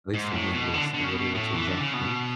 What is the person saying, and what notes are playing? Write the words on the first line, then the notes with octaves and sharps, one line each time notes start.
at least to me at least, like literally looks the exact same,
G#2
A2
B2
D3
D3
C#3
B2
A2
E3
D3
C#3
B2